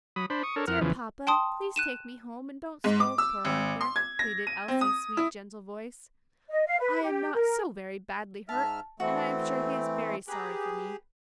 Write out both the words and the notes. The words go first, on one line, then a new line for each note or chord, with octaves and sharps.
"Dear papa, please take me home, and don't scold poor Arthur," pleaded Elsie's sweet, gentle voice; "I am not so very badly hurt, and I am sure he is very sorry for me."
F#3 B5 D#6
D4 C5 B5
C#6 D#6
D4 A4 A#4 C#5
F2 A#4 F#5 F6
E2 C#3 E3 F3
G5 A5 C6 D#6
F#6 D#7 E7
G#2
D6
E6
G#1
C6
G#6
A#6
D#7
C4
D#6
E4
D#5
F5
B4
G4
A#4
G#2 E5 A5 F6
E3 A3 C4 F#4
G4 G#4 B4 A#5